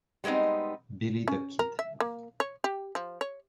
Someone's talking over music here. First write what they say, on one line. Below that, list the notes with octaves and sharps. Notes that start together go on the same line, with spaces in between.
Billy the Kid.
G3 G#3 B3 C4 D#4
C#4
A#4
E5
A#3
C#5
G4
F3
C#5